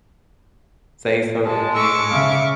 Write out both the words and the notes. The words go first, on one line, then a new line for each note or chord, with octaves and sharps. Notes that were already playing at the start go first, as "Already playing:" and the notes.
say certain things,
G#3 A5
C#6 D6 E6
C#3 E5 F5